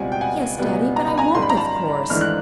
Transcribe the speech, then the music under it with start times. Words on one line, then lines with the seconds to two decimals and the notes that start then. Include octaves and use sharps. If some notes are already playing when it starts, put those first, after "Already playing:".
"Yes, daddy; but I won't, of course."
Already playing: C#2 B2 G3 C4 F#5 G#5
0.12 G5
0.21 F#5 G#5
0.58 C#2 B2 G3 B3
0.96 A#5
1.07 B5
1.18 G#5 A#5
1.34 G#1 F#2 D#3 G3 C6
1.42 B5
1.50 A#5
1.57 A5 B5
2.09 G#1 G#2 E3 A3 D4 F6
2.21 F#6